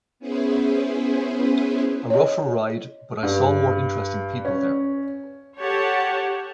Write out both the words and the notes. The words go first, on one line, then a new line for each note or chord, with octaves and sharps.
A rougher ride but I saw more interesting people there.
B3 C#4 E4 G#4 B4 C5
C#5 D#5
G2
C#4
G4 A4 C#5 F#5 A5